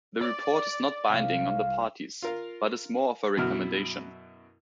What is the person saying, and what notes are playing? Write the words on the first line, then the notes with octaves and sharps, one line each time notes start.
The report is not binding on the parties, but is more of a recommendation.
D5
C2 F5
F4 A#4 F5
F#2 B2 F#3 E4 F#4 F6